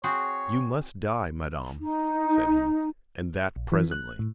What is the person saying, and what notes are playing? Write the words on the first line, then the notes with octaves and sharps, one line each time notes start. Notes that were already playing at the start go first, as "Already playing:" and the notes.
"You must die, Madam," said he, "and that presently."
C4 F#4 G#4 C#5
D#4
A#1
E3
F#6
A2